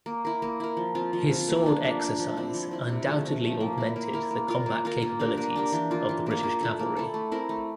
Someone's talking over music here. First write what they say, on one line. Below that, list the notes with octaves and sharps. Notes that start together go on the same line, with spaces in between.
His sword exercise undoubtedly augmented the combat capabilities of the British cavalry.
A#3
E4 A#4
A#3
E4 A#4
F3
C4 F4
F3
C4 F4
A#3
D4 F4
A#3
D4 F4
F3
C4 E4
F3
C4 E4
C3
F3 A3
C3
F3 A3
A#3
E4 A#4
A#3
E4 A#4
A#3
F4 A#4
A#3
F4 A#4
A#3
D4 G4 A#4
A#3
D4 G4 A#4
E3
A#3 F4
E3
A#3 F4
A#3
E4 A4
A#3
E4 A4
A3
C4 E4 A#4
A3